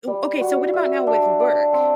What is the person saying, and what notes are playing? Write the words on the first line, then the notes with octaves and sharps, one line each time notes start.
ooh, okay, so what about now with work?
G3
F#4
E5
D4
D5
C4